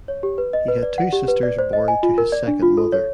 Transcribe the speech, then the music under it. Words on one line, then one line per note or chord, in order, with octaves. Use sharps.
He had two sisters born to his second mother.
C#5
G4
B4
D#5
B4
D5
F#5
G4
B4
D5
C5
D#5
G#5
F4
A#4
D5
D4
F4
A4
C#5